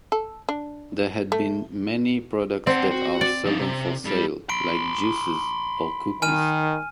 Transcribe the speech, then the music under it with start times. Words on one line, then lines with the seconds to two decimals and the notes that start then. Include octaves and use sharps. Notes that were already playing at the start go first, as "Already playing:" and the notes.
There had been many products that are seldom for sale, like juices or cookies.
0.12 A4
0.49 D4
1.32 A3
2.67 C4 D5 F#5
2.92 F#4
3.21 D5
3.45 F3 D#4
3.60 C3
4.05 G2 G3
4.49 B5 C6 D7
6.22 D#3 G#5 F6 D#7